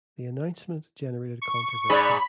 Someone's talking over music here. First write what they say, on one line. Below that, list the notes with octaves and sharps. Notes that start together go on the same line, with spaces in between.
The announcement generated controversy.
C#6
G#2 G#4 D5 B5